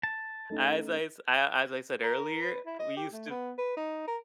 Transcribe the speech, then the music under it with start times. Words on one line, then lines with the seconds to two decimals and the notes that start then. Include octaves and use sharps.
As I s a as I said earlier, we used to
0.03 A5
0.50 A3 C#4 D#4
2.03 A#4
2.41 B4
2.66 E4
2.79 D#5
2.97 G4
3.13 A3
3.30 B3
3.58 B4
3.77 D#4
4.07 A#4